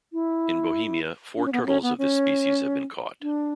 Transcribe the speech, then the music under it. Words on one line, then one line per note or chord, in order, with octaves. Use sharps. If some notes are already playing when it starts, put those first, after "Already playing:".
In Bohemia, four turtles of this species have been caught.
E4
D4
C#4
B3
B3
C#4
B3
C#4
D4